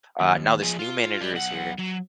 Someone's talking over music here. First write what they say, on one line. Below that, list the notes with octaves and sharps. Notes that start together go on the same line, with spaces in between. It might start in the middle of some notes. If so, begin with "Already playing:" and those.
uh, now this new manager is here,
D#2
F3 G#4
F4
G3
B1 F#5
F#3